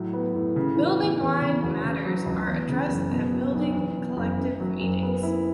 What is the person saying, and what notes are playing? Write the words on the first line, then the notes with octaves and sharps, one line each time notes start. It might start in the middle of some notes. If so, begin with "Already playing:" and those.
Building-wide matters are addressed at building collective meetings.
Already playing: A2 F#3
B3
A2
C#3
E3
E2
E2
C#3
E1
C#3
F#3
C#2
E2
C#3
F#1
B2
F#3
B1
E2
B2
F#1
F#2
F#3
F#1
B3
E4